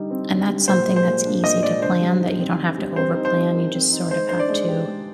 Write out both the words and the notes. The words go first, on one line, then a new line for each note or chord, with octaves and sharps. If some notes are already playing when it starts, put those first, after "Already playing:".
And that's something that's easy to plan that you don't have to overplan, you just sort of have to
Already playing: D3 G3 D#4
C4
D3
G3
A#2 C5
G#3
C5
A#2
D4
A#2 D#5
G#3 D5
D3 C5
G3
D#4
C4
D3
G3
C4 C5
D#4
C5
C4
A#4
C4
D#4
G#3 C5
D4 C5
D5
G#3
G4
G#3